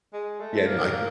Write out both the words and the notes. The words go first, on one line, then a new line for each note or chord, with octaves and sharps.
Yeah, no, I can
G#3
A3
A#3
A#3